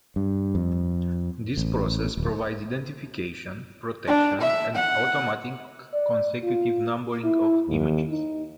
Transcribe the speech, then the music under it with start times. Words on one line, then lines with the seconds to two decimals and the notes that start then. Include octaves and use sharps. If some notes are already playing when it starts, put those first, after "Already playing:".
This process provides identification, protection, and automatic consecutive numbering of the images.
0.16 G2
0.55 F2
1.57 A1
2.17 D1
4.07 D4
4.41 E5
4.76 F#5
5.94 D5
6.44 F4
7.24 E4
7.69 D#2
8.11 D#4